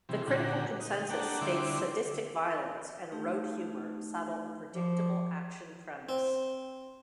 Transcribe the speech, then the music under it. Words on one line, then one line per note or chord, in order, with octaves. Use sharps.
The critical consensus states Sadistic violence and rote humor saddle a predictable action premise.
C3 E3 G3
A#2 D3 F#4 G4
D#4
A#3 D4 G4 A4 F#5
D3 G3 E4 C5 D6
A3 D#4 G4
F3 D6
C4